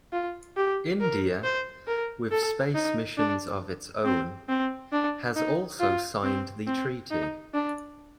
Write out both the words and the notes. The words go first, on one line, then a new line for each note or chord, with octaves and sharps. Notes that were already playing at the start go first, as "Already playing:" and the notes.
India, with space missions of its own, has also signed the treaty.
F4
G4
A#4
C5
A#4
A4
D#4
D4
C4
C4
D4
D#4
F4
C4
C4
D#4
D4